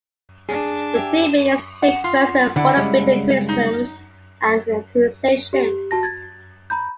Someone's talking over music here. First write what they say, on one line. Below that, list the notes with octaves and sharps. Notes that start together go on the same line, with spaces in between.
The two men exchanged verses full of bitter criticisms and accusations.
D4 G#4
G4 E5 G#5
F#5
F4
D3 E4 D5 F#5
C#3 G3 G#3
D#4
G4
F#4 A5 A#6
G#6 A6
A#5 B5 G6